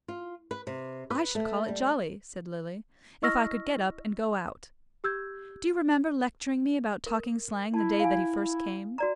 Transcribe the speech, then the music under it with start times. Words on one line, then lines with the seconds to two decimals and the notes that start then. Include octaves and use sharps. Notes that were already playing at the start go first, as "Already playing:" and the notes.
"I should call it jolly," said Lily, "if I could get up and go out. Do you remember lecturing me about talking slang the day that he first came?"
0.08 F4
0.51 B4
0.67 C3
1.10 B4
1.35 A3
1.68 G3
3.22 E4 D#5 C#6 E6 F6 A#6
5.04 G4 E6 G6 G#6
7.06 A#4
7.74 E4 A5
8.00 F5 G#5
8.98 F#4 D5 A#5